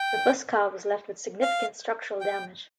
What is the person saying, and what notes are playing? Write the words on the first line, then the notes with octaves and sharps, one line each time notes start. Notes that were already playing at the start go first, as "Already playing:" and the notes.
The first car was left with significant structural damage.
Already playing: G5
F5
G5